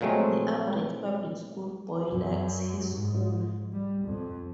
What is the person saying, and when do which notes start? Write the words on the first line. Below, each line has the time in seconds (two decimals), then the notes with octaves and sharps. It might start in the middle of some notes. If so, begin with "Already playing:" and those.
The average public-school boy likes his school.
0.01 A#2 F3 F#3 G#3 A3 C4
2.10 F#2
2.94 G#2
3.73 G3
4.05 F2